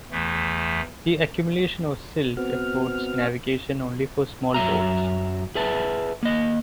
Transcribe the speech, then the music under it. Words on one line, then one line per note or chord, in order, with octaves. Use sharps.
The accumulation of silt affords navigation only for small boats.
E2 E3 A3
B3 C4 F#4 F6
F#2 F#3 E5 A#5
G#4 B4 E5 A5
A#3 D#5